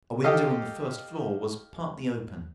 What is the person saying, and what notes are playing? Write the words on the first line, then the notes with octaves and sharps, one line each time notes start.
A window on the first floor was partly open.
G4 A4 D#5 F5